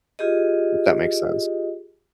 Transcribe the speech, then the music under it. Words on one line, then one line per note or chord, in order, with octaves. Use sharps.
If that makes sense.
F4 G4 G#4 D#5